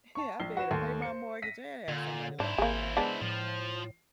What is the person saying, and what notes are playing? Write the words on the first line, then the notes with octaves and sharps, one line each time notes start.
Yeah, I'd be able to pay my mortgage and have some money left over.
A5 C#6
A#1 C7 G7
F#4 B4 E7
D#2 A3 C6
C5 C#7
A#6 B6 D#7
A#2 D3
G#2 D4 E4 C5
G#1 A#3 G#4
G#3 B3 D4
A2 F3